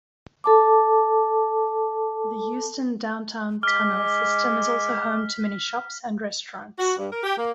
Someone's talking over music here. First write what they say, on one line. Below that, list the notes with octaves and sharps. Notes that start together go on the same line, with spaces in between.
The Houston Downtown Tunnel System is also home to many shops and restaurants.
A4 A5 D6
G#3 D6 F6 B6
F#4
G2
A#4
G4
A#3